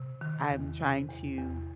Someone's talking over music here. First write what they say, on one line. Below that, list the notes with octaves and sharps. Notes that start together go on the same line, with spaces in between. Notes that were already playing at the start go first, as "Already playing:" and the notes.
I'm trying to
Already playing: C3
D#3
E2
C3
E2
E2